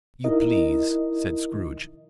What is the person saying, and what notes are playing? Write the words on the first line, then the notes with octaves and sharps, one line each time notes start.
"If you please," said Scrooge.
D#4 E4 A#4 D#5